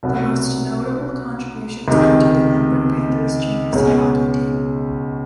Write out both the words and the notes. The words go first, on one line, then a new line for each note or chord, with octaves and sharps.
The most notable contributions are to the Embrun Panthers Junior C hockey team.
C2 B2 F#3 B3
C#2 C3 D#3
C#2 B2 G#3 C#4